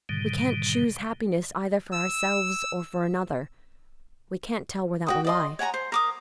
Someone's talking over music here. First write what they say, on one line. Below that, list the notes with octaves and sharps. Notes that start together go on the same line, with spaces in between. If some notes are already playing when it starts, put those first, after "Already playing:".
We can't choose happiness either for ourselves or for another; we can't tell where that will lie.
G#2 B2 D3 D#3 G3
E6
F#4 G5 D#6
D5 D#5 C6
C#5 F#5 G#5 A#5
C5
A#4 D6 D#6